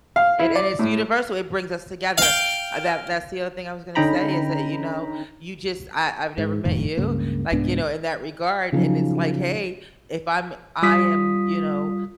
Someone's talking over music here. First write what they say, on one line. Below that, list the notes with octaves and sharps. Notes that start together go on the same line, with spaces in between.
And and it's universal, it brings us together. Uh, that that's the other thing I was gonna say, is that, you know, you just I I've never met you, like, you know, in that regard, and it's like, "Hey," if I'm I am, you know,
F5
E4
D5
A2
F5 G5
D3 C#4 D#4 G5 A#5 B5
G#2
F#1 F2 A2 D#3
C#2 G2 C#3 A#3
C2 G#2 B3 D4
C#3 F3 F#3 D#4
G3 F4 D#6 B6